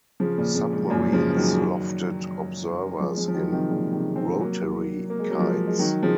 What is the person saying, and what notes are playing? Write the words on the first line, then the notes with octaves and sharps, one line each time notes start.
Submarines lofted observers in rotary kites.
C#3 F3
A#2 C#3
A#2 C#3
G#2
F#2 A#2
C#3 F3
D#3 F#3
F3 G#3
F3 G#3
F3
D#3 F#3
C3 D#3
A#2 C#3
C3 D#3
G#3 C4
F#3 A#3
A#3
G#3
F#3
F3 G#3
G#3
D#3 F#3
C#3 F3